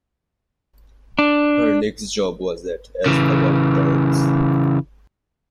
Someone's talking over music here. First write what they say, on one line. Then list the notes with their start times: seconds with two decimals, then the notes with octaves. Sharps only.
Her next job was at As the World Turns.
1.19 D4
3.06 C#3 E3